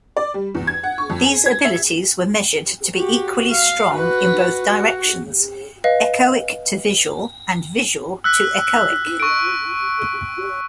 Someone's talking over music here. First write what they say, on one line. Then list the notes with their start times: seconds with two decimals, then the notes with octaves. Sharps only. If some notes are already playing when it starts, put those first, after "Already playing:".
These abilities were measured to be equally strong in both directions, echoic-to-visual, and visual-to-echoic.
0.17 D5
0.34 G3
0.55 E2
0.67 G#6
0.83 F#5
0.98 C#6
1.10 F2
1.25 G#5
1.46 G#6
1.65 E5
2.96 F#4 G4
3.50 F5
3.90 F#4 B4
4.68 F#4
5.84 B4 D#5 F5
8.24 E6 F#6 B6
9.20 C#6 D7